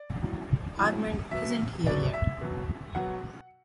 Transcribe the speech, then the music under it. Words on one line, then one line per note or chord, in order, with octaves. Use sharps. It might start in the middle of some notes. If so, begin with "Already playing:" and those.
Armand isn’t here yet.
Already playing: D5
A2 F#3
A2 F#3
B2 F#3 E5
B2 F#3 D5
E5
B2 F#3
B2 F#3 F#5